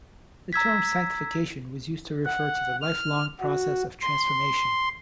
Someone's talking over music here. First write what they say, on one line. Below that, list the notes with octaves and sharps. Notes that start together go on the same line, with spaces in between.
The term "sanctification" was used to refer to the lifelong process of transformation.
A#5 E6 G#6 B6
F#5
F6
F#4
C6